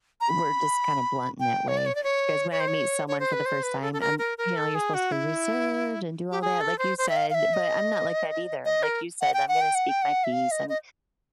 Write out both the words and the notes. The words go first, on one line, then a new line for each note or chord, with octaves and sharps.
were just kinda blunt in that way 'cause when I meet someone for the first time, I'm, you know, you're supposed to be reserved and do all that like you said, but I'm not like that either. Like you said, I'm gonna speak my peace and
A#5
B5
G5
C#5
D5
C#5
D5
C#5
C#5
C5
C#5
C#5
C5
B4
C5
B4
A4
A4
A#4
A#4
A#4
A4
G#4
F#4
E4
G4
G#4
A4
C5
C5
E5
F5
F5
E5
D#5
D#5
A#4
F#5
G5
F#5
G5
F#5
G5
F#5
E5
F5
D#5
D#5